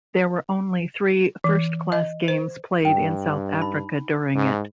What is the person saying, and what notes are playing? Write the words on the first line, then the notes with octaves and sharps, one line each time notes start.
There were only three first-class games played in South Africa during it.
E3
D#5
C5
G2 G5
D#4 B5
G#2